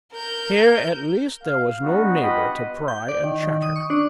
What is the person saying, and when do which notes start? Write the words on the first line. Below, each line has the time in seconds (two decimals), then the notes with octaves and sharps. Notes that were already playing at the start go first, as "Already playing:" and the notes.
Here at least there was no neighbour to pry and chatter.
0.12 A#4 G6
1.44 F5
1.80 G3 B3 D4 D#4 F#4
2.21 B3 F4 G4 D#5 F#5 B5
2.88 G6
3.08 D5
3.24 D#3
3.43 D#3
3.62 D#6
3.76 C#6
3.90 D4